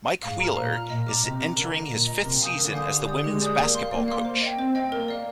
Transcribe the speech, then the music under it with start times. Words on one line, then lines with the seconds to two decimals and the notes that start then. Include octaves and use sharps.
Mike Wheeler is entering his fifth season as the women's basketball coach.
0.22 G#2 F5
0.40 A#5 F6
0.56 A#2 F5
0.73 A#5 F6
0.90 A#2 D#5
1.06 A#5 D6 F6
1.23 C3 D#5
1.40 A#5 D6 F6
1.56 D3 A#4
1.74 D#5 A#5
1.90 A#2 A#4
2.07 D#5 A#5
2.24 C3 A#4
2.41 F5 G#5 D#6 G6
2.57 D3 A#4
2.74 F5 G#5 D#6 G6
2.91 G4
3.08 D5 G#5 D#6 G6
3.24 G#3 G4
3.41 D5 G#5 D#6 G6
3.58 A#3 D5
3.75 F5 C6
3.91 A#3 D5
4.08 F5 C6
4.25 C5
4.42 D#5 G5
4.59 C4 C5
4.75 D#5 G5
4.92 A#3 A#4
5.08 D5 F5